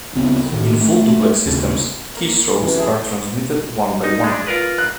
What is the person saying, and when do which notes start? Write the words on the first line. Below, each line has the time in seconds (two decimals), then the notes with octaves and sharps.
In full-duplex systems, keystrokes are transmitted one by one.
0.15 C#2 C#3 B3 C4
0.52 A2 D#3
0.81 A3
1.46 D#2 C#3
2.17 A#3
2.63 F#2 C3 E3
2.77 E4 G#4 A5
4.04 D#4
4.24 G#3 D4
4.47 F4 A#4 B4
4.78 F#6